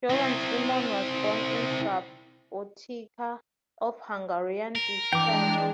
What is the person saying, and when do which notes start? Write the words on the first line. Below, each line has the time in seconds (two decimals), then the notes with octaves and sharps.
Jovan Simmon was born in Subotica, of Hungarian descent.
0.10 C4 E4
4.75 A#4
5.13 E3 G#3 D4 G5 D6